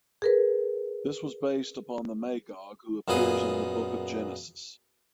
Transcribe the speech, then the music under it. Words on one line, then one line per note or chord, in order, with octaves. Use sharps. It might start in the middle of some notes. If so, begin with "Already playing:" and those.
This was based upon the Magog who appears in the "Book of Genesis".
G#4 A#4 B4
F#2 A#2 B3 G#4 D#6